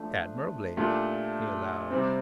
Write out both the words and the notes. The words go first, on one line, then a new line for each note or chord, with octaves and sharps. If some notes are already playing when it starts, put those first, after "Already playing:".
"Admirably," he allowed.
Already playing: F3 A3 D4
A#2 A3 D4 G4
C3 G3 C4